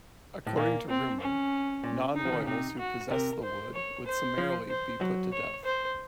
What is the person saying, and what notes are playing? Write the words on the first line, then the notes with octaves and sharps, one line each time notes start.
According to rumor, non-royals who possessed the wood would summarily be put to death.
A2
A#2 A#3
C4
C#4
A#2
D#4
F3
D#3
C#3
C3 D#4
F#4
C3 A#4
C5
C#5
C5
F3
C5
F#3
C#5
C5